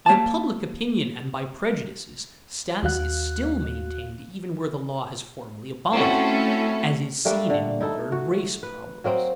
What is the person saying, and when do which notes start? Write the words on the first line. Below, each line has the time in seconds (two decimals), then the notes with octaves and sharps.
By public opinion and by prejudices, status is still maintained even where the law has formally abolished it, as is seen in modern race problems.
0.06 A#3 A5
2.83 D#2 F#4 F5 F#6
5.93 A3 C4 C#4 E4 F#4 A4
7.25 G3 A3 A#3 D4
7.50 D3
7.81 D#4 E4 A4
8.12 F#4
8.63 B4
9.04 F#3 A#3 C4 D#5